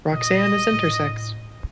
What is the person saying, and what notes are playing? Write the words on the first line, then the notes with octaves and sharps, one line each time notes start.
Roxanne is intersex.
A#2 D#5
A2